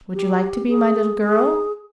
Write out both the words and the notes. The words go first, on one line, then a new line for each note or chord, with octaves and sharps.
"Would you like to be my little girl?"
G4
G#4
G#4